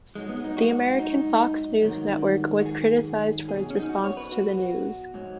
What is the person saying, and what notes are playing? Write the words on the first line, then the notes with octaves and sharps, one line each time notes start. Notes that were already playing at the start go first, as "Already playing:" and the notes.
The American Fox News network was criticised for its response to the news.
G#2 F#3 G#3
B3
D#4
F#4
D#4
G#2 D#3 F#3
F#4
G#4
B2 F#3 G#4
C#4
D#4
F#4
C#5
B4
F#4
G#2 F#3